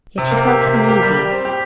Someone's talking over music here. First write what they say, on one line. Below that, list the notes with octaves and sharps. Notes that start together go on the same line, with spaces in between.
Yet he felt uneasy.
C3
A#3
G4
C3
A#3
G4
G3
G4
C4
G4